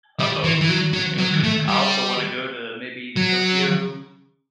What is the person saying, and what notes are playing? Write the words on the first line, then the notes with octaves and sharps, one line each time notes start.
"Uh-oh," you know, I also wanna go to maybe Tokyo
G3
E3
E3
F#3
F#3
F#3
A3
G3
F#3